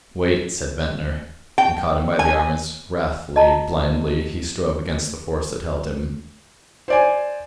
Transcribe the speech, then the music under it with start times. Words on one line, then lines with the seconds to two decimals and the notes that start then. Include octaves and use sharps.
"Wait," said Ventnor, and caught him by the arm as wrathfully, blindedly, he strove against the force that held him.
1.58 G5
2.19 G#5
3.36 D#5 A5 A#5
6.88 C5 D5 G#5